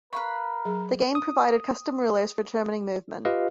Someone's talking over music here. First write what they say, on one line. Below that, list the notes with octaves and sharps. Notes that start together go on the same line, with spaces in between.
The game provided custom rulers for determining movement.
A#4 B4 F5 B5 C#6
F#3 G#4
D#6
F4 G4 B4 D#5 F5